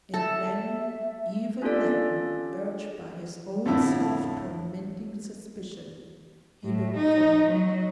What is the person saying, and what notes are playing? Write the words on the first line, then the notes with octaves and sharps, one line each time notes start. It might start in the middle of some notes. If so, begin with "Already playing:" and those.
And then--even then--urged by his own self-tormenting suspicion, he looked for more.
A4 E5
C#4 D4 F4 G4 A4 D5
F2 A2 D3 E4
A2
D#4
F#3